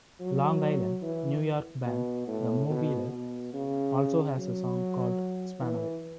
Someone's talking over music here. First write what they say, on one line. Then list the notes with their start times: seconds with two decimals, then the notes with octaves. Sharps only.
Long Island, New York band The Movielife also has a song called "Spanaway".
0.20 F#3
1.02 E3
1.86 B2
2.27 A2
2.70 B2
3.11 B2
3.53 C#3
4.37 F#3
5.61 E3